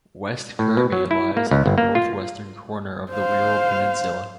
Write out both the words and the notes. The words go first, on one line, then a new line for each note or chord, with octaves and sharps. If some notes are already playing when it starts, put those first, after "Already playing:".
West Kirby lies at the north-western corner of the Wirral Peninsula.
A2
B2
F#3
E4
A#3
C#2
G1
A#3
F4
C5 F5